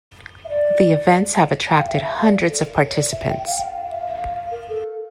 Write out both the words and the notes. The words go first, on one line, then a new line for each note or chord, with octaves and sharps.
The events have attracted hundreds of participants.
E5
D5
G5
F5
E5
F5
D5
A4
A#4
C#5
D5
E5
G5
F5
G5
F5
F5
E5
F5
F5
F5
A#4
A4